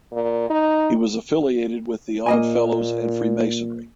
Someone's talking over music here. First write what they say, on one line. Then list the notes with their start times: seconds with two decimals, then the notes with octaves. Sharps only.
He was affiliated with the Odd Fellows and Freemasonry.
0.12 A#2
0.50 D#4
2.26 A#2 A#3 D#5 G#5